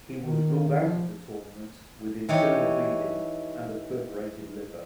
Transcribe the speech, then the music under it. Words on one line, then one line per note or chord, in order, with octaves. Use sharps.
He was ruled out of the tournament with internal bleeding and a perforated liver.
D#3
F3
E3 D#4 G4 C#5